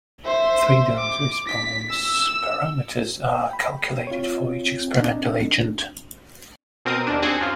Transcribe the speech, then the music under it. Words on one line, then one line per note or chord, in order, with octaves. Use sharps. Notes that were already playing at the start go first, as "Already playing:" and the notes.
Three dose response parameters are calculated for each experimental agent.
C5 E5
D6
B6
E6
G5 B5
C4 F4 C#5
D4 D#4
B2 C4 A#4 D#6
D#2 D4
C4 F#4 G#4
F#2 F4